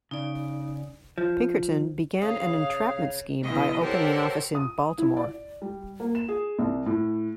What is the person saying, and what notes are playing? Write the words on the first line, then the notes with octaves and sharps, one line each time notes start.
Pinkerton began an entrapment scheme by opening an office in Baltimore.
C#3 D#4 D5
F3
C#3 F5 D#6
B2 D3 E3 D#5
G4 A4 A#4 C5 C#5 F#5
D#6
E4
D5
G3
A#3
E7
G#4
C2
A2